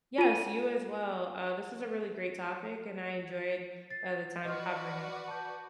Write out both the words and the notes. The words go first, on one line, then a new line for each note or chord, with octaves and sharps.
Yes, you as well. Uh, this is a really great topic, and I enjoyed, uh, the time covering it.
F4 D#7
A6 C7
F#4 B4 D5 D#5 C6 F6
A5 G6